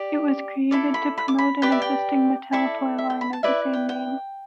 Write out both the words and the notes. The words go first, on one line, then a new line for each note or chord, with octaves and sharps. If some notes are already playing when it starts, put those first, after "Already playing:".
It was created to promote an existing Mattel toy line of the same name.
Already playing: G4 D5
E4 A4 D5
B5
B5
D6
B5
G4 B4 D5 G5
E5
G5
E4 A4 D5 E5
E5
G5
B5
A5
E4 B4 D5 E5
G5
G5